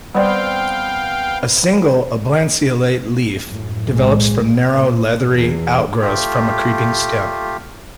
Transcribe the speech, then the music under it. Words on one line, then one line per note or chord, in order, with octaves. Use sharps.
A single oblanceolate leaf develops from narrow, leathery outgrowths from a creeping stem.
G3 B3 C4 D5 F5 G5
F#2 A2
B1 A2 G#3
A#2
E2
A3 F4 G4